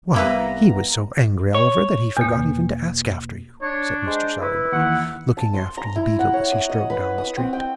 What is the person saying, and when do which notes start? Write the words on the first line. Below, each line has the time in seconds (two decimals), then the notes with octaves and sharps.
'Why, he was so angry, Oliver, that he forgot even to ask after you!' said Mr. Sowerberry, looking after the beadle as he strode down the street.
0.14 C2 A#3 B3 E4 B4 A#5
1.55 C#5
2.17 E2 B2 A#3
3.62 D4 C#5
4.07 G#3 C5
4.41 E4 B4
4.72 D#2 E3 F#5
5.37 A5
5.54 C6
5.77 A#5
5.96 E4
6.19 F#5
6.33 C#5
6.52 D#6
6.69 D#5
6.90 B4
7.18 D#6
7.37 C4
7.53 G5